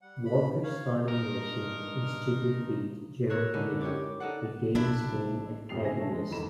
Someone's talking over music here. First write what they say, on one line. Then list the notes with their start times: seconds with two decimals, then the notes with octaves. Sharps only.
Walkers's final mission is to defeat General Diem, the game's main antagonist.
0.02 G3 F#5
0.25 B5
0.63 C#5 F5
1.08 G2 D#4 A#4
3.30 A#4 C#5 E6 F#6
3.53 D3 G#3 D#4 E4
3.81 G4 C#5 D6
4.20 D#4 A4 D5 F#5
4.75 A#1 C3 F#3 D4 E4 E5
5.69 F2 G#2 G4 C7 F7
5.81 G1 C#4 G#4 E5 G#5 A#6
5.99 C#5 E5 A5
6.11 G#3
6.31 G1 E2 D#3 A4 B5 E7